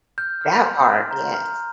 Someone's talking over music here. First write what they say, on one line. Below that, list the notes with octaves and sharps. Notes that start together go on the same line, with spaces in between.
That part, yes.
F6 G6
F6
C6
F6
A#5
F6